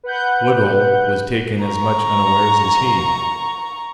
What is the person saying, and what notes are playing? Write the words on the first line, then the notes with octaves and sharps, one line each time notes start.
Woodhull was taken as much unawares as he.
B4 F#5 F#6 G6
A#5 C#6